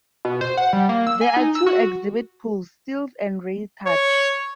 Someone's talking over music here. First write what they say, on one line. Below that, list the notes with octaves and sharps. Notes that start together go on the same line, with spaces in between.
There are two exhibit pools: seals and ray touch.
B2
C5
F#5
G3
A#3
E6
G#5
D#4
E6
F#4
C#5